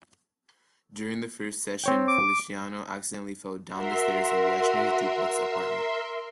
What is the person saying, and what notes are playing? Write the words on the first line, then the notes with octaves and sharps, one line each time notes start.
During the first session, Feliciano accidentally fell down the stairs of Weshner's duplex apartment.
C4 C#5 G5
D6
F#4 A#4 E5 C6